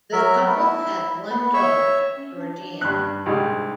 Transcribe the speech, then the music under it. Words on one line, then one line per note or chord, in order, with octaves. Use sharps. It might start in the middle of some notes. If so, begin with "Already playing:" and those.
The couple had one daughter, Georgiana.
F#3 A#4 E5
A3 B3
E4
B3
C#5 E5 C#6 E6
C#4
D4
G2 F#6
C2 G#2 G#3